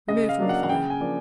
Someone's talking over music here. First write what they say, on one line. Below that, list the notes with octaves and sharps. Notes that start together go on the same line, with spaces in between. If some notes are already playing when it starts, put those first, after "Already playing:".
Remove from the fire.
C#3 D#5
F5
F#3 A#3 D4
F#5
F#5
C#3 G5
G#5
F3 A#3 D4